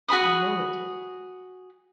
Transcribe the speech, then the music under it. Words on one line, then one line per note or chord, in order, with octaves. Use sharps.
I know it.
F#4 G#4 B5 D#6